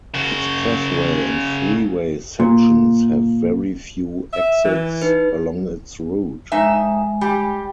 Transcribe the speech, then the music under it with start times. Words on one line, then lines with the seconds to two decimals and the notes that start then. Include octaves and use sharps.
Expressway and freeway sections have very few exits along its route.
0.14 C#3 F#4
2.40 A#2
4.33 E5
4.64 E3
5.02 D#4 B4
6.52 F2 G#3 D#4 E5 G#5
7.21 G3 G4